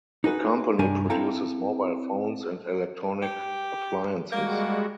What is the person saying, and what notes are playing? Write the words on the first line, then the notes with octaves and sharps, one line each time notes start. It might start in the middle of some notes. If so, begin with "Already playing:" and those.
The company produces mobile phones and electronic appliances.
D#4 F#4 G#4 B4
C2 G2 G3 D4 A#4 G#5
C4 E4 A4 F5 G5 A#5
G4
G3 G#3 A#3 F#4